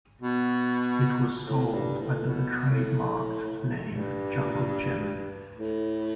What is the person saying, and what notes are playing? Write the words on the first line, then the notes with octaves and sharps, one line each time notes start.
It was sold under the trademarked name Junglegym.
B2
A2
G2
A2
B2
A2
G2
A2